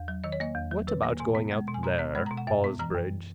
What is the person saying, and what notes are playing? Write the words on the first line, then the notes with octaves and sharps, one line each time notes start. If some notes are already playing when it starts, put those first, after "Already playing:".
What about going out there: Ballsbridge.
Already playing: E2
F#3
D#3 D#5
C#5
A#3 D#5
E2
F#3
D#3 B4
A#3
B2 G#5
B3
G#3
B2
G#5
B2 A#5
B3
G#3 B5
A#5
B2
F#5
F#2 E5
B3
E3 A#5
F#2